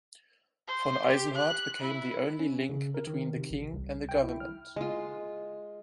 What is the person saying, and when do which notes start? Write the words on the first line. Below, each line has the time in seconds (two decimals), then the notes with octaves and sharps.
Von Eisenhart became the only link between the king and the government.
0.67 C5
1.06 G4
1.35 F#6
1.80 E4
2.39 C#4
2.69 C#3
2.94 A#4
3.07 D#3
3.36 C3
3.51 A1
3.73 C2
4.09 G5
4.23 E4
4.40 F6
4.76 G#3 F4